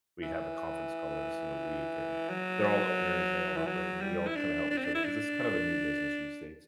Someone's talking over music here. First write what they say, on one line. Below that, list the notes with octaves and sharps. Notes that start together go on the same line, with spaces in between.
we have a conference call every single week, and they're all owners and they all operate, and we all kinda help each other 'cause it's kind of a new business in the states.
E3
F#3
E3
F#3
G3
E4
D4
D4
C4
D4
E4
D4